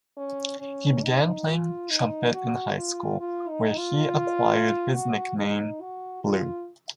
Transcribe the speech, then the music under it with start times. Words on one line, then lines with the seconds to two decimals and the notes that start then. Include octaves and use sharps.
He began playing trumpet in high school, where he acquired his nickname, Blue.
0.17 C#4
0.60 C#4
1.03 D#4
1.47 F4
1.90 D#4
2.33 F#4
2.77 F4
3.20 F4
3.49 D#4
3.78 F4
4.94 F#4
5.37 D#4
5.81 F#4
6.24 F4